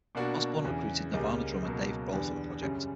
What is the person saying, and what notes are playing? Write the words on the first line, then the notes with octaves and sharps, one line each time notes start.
Osborne recruited Nirvana drummer Dave Grohl for the project.
B2 A#3 D4 F#4
E2 C#3 E3
C#2 C#3 G3 A#3
C#2 B2 F#3 A#3
E2 D3 G3 B3 D4
F#2 C#3 G3